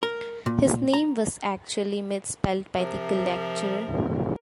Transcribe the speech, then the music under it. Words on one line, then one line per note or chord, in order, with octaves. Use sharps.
His name was actually mis-spelt by the collector.
A#4
A#2
A#5
C3 F3 A#4 E5